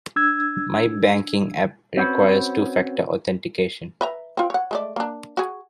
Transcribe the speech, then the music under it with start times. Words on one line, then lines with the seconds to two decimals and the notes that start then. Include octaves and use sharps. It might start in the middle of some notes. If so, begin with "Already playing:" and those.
My banking app requires two factor authentication.
0.16 D4 E6 G#6
1.97 C4 C#4 F#4 B4
4.01 B4 E5 A#5
4.37 C4 F4
4.50 C#5 F#5
4.71 G#3 A3 D5
4.96 A#3 D4
5.37 F#4 G#4